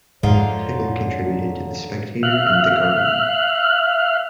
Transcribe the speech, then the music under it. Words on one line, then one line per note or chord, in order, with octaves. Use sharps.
Tickell contributed to "The Spectator" and "The Guardian".
F2 G#2 D3 D#4 F4 C#5
E5 F5 F6 F#6